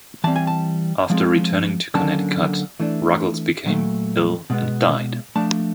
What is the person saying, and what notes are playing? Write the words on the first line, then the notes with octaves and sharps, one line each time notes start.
After returning to Connecticut, Ruggles became ill and died.
E3 G3 C4 A5
G#5
A5
F3 G#3 C4
D3 F#3 A#3 C#4 A5
E3 A3 D4
A#2 F#3 A3
B2 G#3 B3
F3 A3 D4 A5